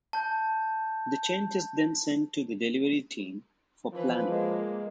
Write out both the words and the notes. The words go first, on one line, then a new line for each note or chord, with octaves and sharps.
The change is then sent to the delivery team for planning.
A5 G6
E3 F3 B4
G#3 A#3